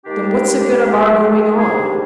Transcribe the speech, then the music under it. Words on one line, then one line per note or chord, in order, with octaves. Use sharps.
"Then what's the good of our going on?"
D#2 D#3 G#3 D4 G4
F2 D#3 G3 D4 G#4
G4